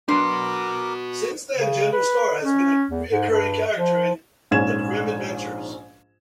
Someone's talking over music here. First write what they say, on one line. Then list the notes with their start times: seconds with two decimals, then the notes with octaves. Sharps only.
Since then General Skarr has been a recurring character in the "Grim Adventures".
0.09 F#3 D4 F#4 A#4 B4 C6 D6
1.57 C#3
1.92 B4
2.44 C#4
2.91 E2
3.09 G#2
3.29 G2
3.76 F3
4.51 A#1 G#2 C#4 G#6 E7